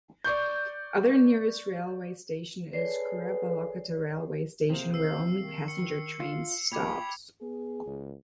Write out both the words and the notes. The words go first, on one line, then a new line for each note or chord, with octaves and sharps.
Other nearest Railway Station is Kurabalakota Railway Station where only Passenger trains stops.
D5 C#6 G6
G#4 A4 B4 C#5 D5 C7
C3 A#3 F4 G#4 C5
E6 C7
D#3
C#7
F4
A#2 G5 B5 D6 G#6 F7
B3 G#4
C#2